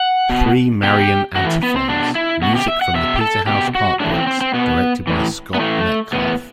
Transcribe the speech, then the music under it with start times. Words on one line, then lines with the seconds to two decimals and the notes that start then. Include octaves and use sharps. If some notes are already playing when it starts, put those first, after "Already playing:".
Three Marian Antiphons : Music from the Peterhouse Partbooks, directed by Scott Metcalfe.
Already playing: F#5
0.30 B2
0.83 B2 G4
1.36 A2 E3 F#4
1.63 B3
1.76 C4
1.89 B2 D4
2.15 E4
2.42 B2 F#4
2.55 G4
2.68 E5
2.81 F#5
2.94 B2 E5
3.16 G4
3.21 A4
3.47 B2 G4
3.75 F#4
4.00 A2 E3 D4
4.14 C4
4.27 C4
4.41 C4
4.54 B2 B3
5.07 A2 E3
5.54 B3
5.60 A2 E3 A3
6.13 A2 E3 B3